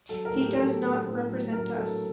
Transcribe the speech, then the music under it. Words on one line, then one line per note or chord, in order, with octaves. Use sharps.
He does not represent us.
F#3 A4
A#4
A2
G4
F#3 A4
A2
A2
F#3
F#3 A#4
F#3 A4